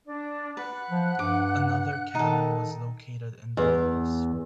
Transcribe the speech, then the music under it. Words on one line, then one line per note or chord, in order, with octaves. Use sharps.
Another cannon was located in the nose.
D4
B4 F#5 F#6
F3
G2 D6
D#3 D#4 A4
E2